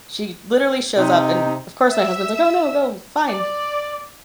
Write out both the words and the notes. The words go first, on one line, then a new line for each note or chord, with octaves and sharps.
she literally shows up and, of course, my husband's, like, "Oh, no, go, fine g
C3 D#4
E5 E6
D5